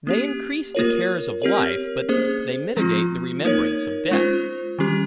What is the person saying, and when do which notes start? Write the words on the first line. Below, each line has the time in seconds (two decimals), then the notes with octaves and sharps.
They increase the cares of life; but they mitigate the remembrance of death.
0.07 A#3 C#4 G4
0.75 A#3 F4 A#4 C#5
1.42 C4 G4 A#4 C#5
2.09 A#3 C#4 G#4 C5
2.77 F3 G#3 C4 F4
3.45 A#3 D#4 A#4 C#5
4.11 G#3 C#4 F4 C5
4.79 D#3 G3 C#4 G4